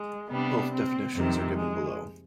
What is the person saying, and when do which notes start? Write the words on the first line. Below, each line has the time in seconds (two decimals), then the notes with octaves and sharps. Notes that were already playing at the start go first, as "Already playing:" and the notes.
Both definitions are given below.
Already playing: G#3
0.30 C3 G3 B3 D4
0.73 C4
1.15 F2 C3 D#3 C4
1.57 G#3